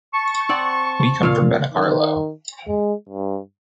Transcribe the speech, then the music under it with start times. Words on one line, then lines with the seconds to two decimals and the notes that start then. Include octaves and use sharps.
We come from Benicarló.
0.14 A5 C#6
0.49 C4 D5 F#5
1.23 A#2 F5
1.74 D#3
2.67 G#3
3.09 G2